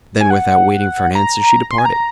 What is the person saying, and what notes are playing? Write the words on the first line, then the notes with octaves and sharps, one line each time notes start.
Then, without waiting for an answer, she departed.
G#5
F#5
A#5
C6
G#5
A#5